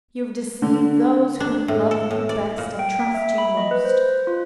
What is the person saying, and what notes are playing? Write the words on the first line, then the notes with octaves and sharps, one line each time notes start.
You have deceived those who love you best and trust you most.
D3
D4
A2
A4
A2
D5
A#2
G5
A#3
E5
B5
D#5
B4
C5
F4